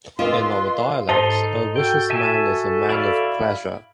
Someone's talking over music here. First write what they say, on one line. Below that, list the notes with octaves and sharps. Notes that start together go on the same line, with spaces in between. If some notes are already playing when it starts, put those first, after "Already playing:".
In our dialect a vicious man is a man of pleasure.
F4 A#4 B4 D#5 F5 C6
G#2 D#4 A4 C5 C6 A6
F#4 A4 G5
E5 G#5 A5
E4 D5 F5